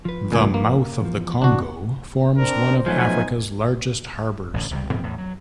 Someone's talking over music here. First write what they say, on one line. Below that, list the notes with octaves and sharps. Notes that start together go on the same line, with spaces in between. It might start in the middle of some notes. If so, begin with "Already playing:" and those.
The mouth of the Congo forms one of Africa's largest harbours.
F3 B4
C#2 A#2 G#5
A#3
E2 F3
D2 C3 E3 D4 F#4
C4 D4 A#4 C5
F3 F#3 A3 B3 D#4 G#5
A1 A2 D3
C#2 C3 F3 G3
G#2 B2 F3 C4
E2 A2
F#3